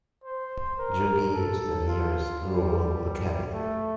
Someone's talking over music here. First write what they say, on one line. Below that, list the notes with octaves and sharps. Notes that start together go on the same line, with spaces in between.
Yugi is the nearest rural locality.
C5
A#4
A4
F4
G3
A3